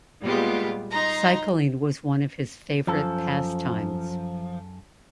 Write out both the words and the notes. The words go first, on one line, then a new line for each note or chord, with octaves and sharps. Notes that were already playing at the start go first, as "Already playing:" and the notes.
Cycling was one of his favourite pastimes.
A#2 G3 G#3 B3 F4 G4
D#4 A#5 C6
F#2 F3 A4